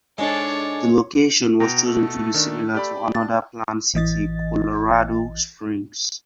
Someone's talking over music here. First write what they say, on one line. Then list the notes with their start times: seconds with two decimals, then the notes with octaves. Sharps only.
The location was chosen to be similar to another planned city, Colorado Springs.
0.18 G#2 G#3 D4 A4 C#5
1.60 B2 G5 A#5
1.86 A3 A4
2.34 D#3 D4
2.75 G4 D5 B5
3.15 D4 A6
3.94 A1 E3 D#5 A6